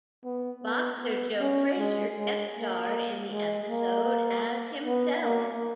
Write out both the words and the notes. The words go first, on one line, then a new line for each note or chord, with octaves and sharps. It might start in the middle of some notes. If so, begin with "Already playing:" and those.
Boxer Joe Frazier guest starred in the episode as himself.
B3
B3
B3
C#4
G#3
G#3
A#3
G#3
A#3
B3
A#3